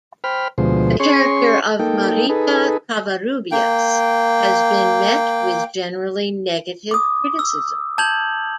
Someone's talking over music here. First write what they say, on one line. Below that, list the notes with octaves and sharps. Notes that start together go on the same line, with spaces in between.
The character of Marita Covarrubias has been met with generally negative criticism.
C5 G5 B5 F6
D2 B2 F3 G#3 C5
C#4 G#4 C#5 C6 C#6
A#3 D#4 A4 G5
D#4 G#4 A4 B4
A#3 G5
D6 D#6
E6
A5 G6 G#6 F7 F#7